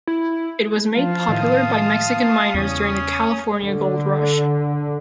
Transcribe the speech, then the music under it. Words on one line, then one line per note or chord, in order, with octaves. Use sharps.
It was made popular by Mexican miners during the California Gold Rush.
E4
F3 F4 F5 A5
A2 D#3 F3 D#6
E2 C#3 C#4
D3